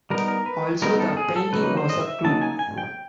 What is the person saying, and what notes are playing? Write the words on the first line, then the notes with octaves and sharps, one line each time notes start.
Also, the painting was a clue.
G3 B3 D#4 A#4
A#4
B4
G3 B3 D#4 A#4
A4
G#4
A4
C#3 F#3 A#3 D#4 B4
C5
D#5
E5
C#3 F#3 A#3 D#4 A5
G#5
G#5
G5